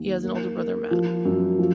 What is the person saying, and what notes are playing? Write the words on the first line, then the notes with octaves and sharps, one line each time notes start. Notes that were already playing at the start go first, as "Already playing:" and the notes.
He has an older brother, Matt.
Already playing: D#2
A#3
A#3
F3
F#2
F3